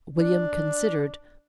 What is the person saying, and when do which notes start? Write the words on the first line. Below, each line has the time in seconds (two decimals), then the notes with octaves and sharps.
William considered.
0.12 D4